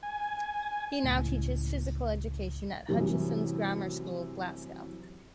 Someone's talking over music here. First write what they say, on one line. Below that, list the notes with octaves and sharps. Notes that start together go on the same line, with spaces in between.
He now teaches physical education at Hutchesons' Grammar School, Glasgow.
G#5
C#2 A2
F#2 A2 C3 E3 G3